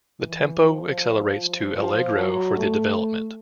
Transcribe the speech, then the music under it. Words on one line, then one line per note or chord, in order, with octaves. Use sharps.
The tempo accelerates to allegro for the development.
E3
F3
F3
F3
F#3
A3